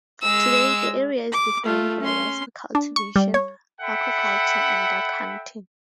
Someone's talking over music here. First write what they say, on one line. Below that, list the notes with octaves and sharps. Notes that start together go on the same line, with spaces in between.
Today, the area is defined by rice cultivation, aquaculture and duck hunting.
G#3 E6
D6
A3 F4
C#4 C6
D4
C#6
G3
C#5
A4 E5 F#5 G5 B5